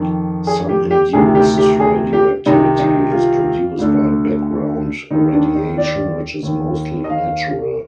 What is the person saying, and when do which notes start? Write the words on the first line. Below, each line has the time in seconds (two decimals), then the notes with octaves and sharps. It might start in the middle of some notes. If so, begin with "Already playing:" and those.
Some induced radioactivity is produced by background radiation, which is mostly natural.
Already playing: F2 D#3
0.47 G#4
0.69 G4
0.91 G4
1.13 D2 C3 D#3 G#4
1.35 G4
1.58 G4
1.80 G#4
2.13 G4
2.46 C2 C3 D#3 D#4
2.79 D#4
3.12 F4
3.79 D2 D3
5.10 D#2 D#3 D#4
5.33 D4
5.55 D#4
5.77 D5
6.43 D#2 D#3
7.04 D#5
7.10 F5